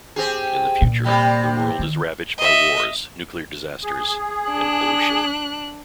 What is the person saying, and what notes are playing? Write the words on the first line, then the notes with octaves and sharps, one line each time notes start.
In the future, the world is ravaged by wars, nuclear disasters and pollution.
C4 G4 G#4
A#2
C3 G3 G4
D#3
D#5 E5
G#4
D4 F#6